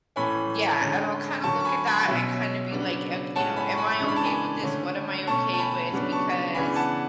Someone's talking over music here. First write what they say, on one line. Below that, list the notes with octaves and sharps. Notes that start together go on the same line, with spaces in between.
Yeah, and I'll kinda look at that and kinda be, like, i you know, "Am I okay with this? What am I okay with?" Because,
A2 E3 A3 C#4 G#5 B5
D3 G#3 C#4
D3 F#3 C#4 A5 C#6
C#6
G#5 B5
G#5 B5
B2 F#3 C#4 E5 G#5
C#3 F#3 B3 D4
A2 G#3 C#4 F#5 A5
G#5 B5
C#6
G#5 B5
C#3 E3 G#3 D4 C#6
B5
A5
G#5 B5
D3 A3 C#4
B2 A3 C#4 A5 C#6
A5
G#5 B5
C#3 F#3 B3 D4
A5 C#6
C#3 E3 B3 D4 G#5 B5
F#5 A5